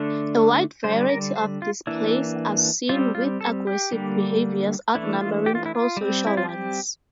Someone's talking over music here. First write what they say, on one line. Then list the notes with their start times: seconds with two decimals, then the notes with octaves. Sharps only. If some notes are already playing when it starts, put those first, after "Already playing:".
A wide variety of displays are seen, with aggressive behaviours outnumbering pro-social ones.
Already playing: D3 A3 D4
0.84 D3 G3 D4 C5
1.10 A#4
1.36 C5
1.62 F4
1.87 E3 A#3 D4 E4
2.89 G3 C4 F4
3.15 F4
3.41 A4
3.67 G4
3.92 D3 G3 A#3 D4
4.95 E3 A3 D4 E4
5.21 F4
5.46 G4
5.55 F4
5.66 E4
5.75 F4
5.97 G3 C4
6.27 E4
6.37 F4
6.49 G4